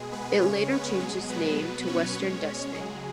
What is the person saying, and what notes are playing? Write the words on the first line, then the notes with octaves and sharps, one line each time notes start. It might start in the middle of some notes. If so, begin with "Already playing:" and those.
It later changed its name to "Western Destiny".
Already playing: B2 G#3 G#4
B3 B4
C#3 G#3 C#4 C#5
B3 B4
B2 F#3 G#3 G#4
B3 B4
B2 F#3
C#4 C#5
B2 G#3
C#3 F#3 G#3 G#4